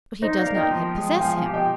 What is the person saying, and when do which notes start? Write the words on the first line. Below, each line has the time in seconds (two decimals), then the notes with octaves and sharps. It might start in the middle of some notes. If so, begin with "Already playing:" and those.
But he does not yet possess Him.
0.22 D#4 C5 D#5
0.38 D5 F5
0.46 A#4
0.55 D#5 G5
0.71 F3
0.95 G#3
1.15 G5
1.20 F3 F5 G#5
1.37 F5 G#5
1.46 G4
1.53 D#5 G5